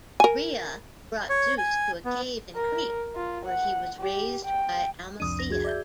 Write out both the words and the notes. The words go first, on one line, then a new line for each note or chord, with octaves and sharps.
Rhea brought Zeus to a cave in Crete, where he was raised by Amalthea.
A#4 G#5
C#5
G#5
B3
A#4
F4
F#5
G4
G5
C2 F2 D4 D#6 D#7
A#6
F#4 G#4 G#6
D5 E5 G6